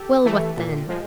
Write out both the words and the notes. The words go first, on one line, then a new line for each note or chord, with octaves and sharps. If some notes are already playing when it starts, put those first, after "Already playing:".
Well, what then?
Already playing: G4 A4
E3 A3
A#2
F3 G#3